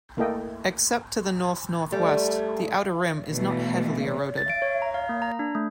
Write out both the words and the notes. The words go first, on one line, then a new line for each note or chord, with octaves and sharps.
Except to the north-northwest, the outer rim is not heavily eroded.
A3 A#3 E4 A4 D#5 G5
G3 A3
B2 E3 A3
A6
D7
C#5
A#5
F5
A#3
A#5
D4
A3